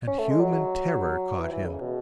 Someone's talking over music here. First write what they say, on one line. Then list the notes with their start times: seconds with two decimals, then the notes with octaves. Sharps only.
And human terror caught him.
0.07 C#4
0.19 A3
0.30 G#3
0.40 F#3
1.38 E3
1.52 E3
1.66 C#3
1.81 B2